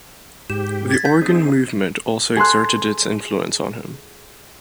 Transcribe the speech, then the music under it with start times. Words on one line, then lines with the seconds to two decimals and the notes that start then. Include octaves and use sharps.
The organ movement also exerted its influence on him.
0.50 G#2 G4 E7
0.90 G#6 A6 B6
1.05 G6 B6
1.22 C4 D#4 G#4
2.37 G#4 A4 C6 F#6